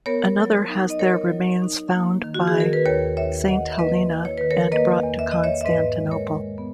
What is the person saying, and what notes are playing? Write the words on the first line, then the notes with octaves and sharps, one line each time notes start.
Another has their remains found by Saint Helena and brought to Constantinople.
B3 A#4 C#5
F#3
D#4
D#5
F#3 A#4 C#5
F#3
D#4
A#3
D#3
F#4
G#4
D#3
A#4
B4
D#2 A#4 C#5
D#2 C#5 E5
D#2 D#5 F#5
E5
A#3 B4 D#5
E4
C#5
D#3 B4
A#4 C#5
A#3 B4 D#5
E2
E5
E2 D#5
C#5 E5
E5
G#2 B4 D#5
G#3
A#4 C#5
G#3
B3